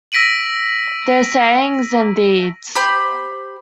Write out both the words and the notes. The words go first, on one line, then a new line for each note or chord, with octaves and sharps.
Their sayings and deeds.
E6 A#6 B6 D7 D#7 F#7
G4 C5 B5 G6